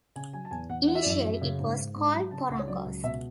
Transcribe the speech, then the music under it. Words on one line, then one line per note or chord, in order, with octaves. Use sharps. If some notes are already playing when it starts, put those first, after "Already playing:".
Initially it was called "Porongos".
C#3 G#5
F#3 G#5
A5
E2 G#5
E2 F#5
E3 F#5
E5
D5
F#2 E5
F#2
C#3
G#2
G#2
G#2
F#3
C#3 A5
C#2 F#5
C#5
F#3 D5
C#2
B2 E5